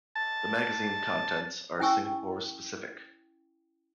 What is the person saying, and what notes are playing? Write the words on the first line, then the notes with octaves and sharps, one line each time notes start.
The magazine contents are Singapore-specific.
A5
C#4 E4 G5 G#5 C#6 E6